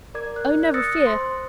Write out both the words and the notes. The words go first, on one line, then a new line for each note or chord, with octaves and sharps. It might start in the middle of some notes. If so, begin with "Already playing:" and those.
'Oh! never fear!
A#4 D5 D6 G#6
A#4 F#6
D#6 E6 F#6 A6 A#6 C#7
C5 C6